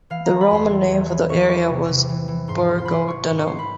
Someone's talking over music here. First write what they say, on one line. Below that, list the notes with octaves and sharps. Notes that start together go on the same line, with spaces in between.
The Roman name for the area was "Burgodunum".
E3 F5
G3 A#5
B5
E2 C6
E3
E2
E3
E3 C#6
G3 C#6
C3
C3
E3
E3
G#2 C6
A1
C6
F#3 B5
C6
F#3 C#6
G#2 C#6
C#6
F#3 C6
B5